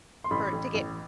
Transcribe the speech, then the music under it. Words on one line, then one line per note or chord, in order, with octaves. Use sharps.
for to get
C6
A1 B5
A1
A1